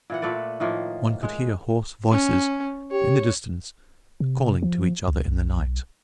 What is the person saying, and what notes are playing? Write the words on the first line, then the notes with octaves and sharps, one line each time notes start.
One could hear hoarse voices, in the distance, calling to each other in the night.
A#2 E3 F#5
A#2 A3 B4 D5
A2 D#3 F3 A#3
G#3
C#4
G4 C#5
C3
F3
C#2
B1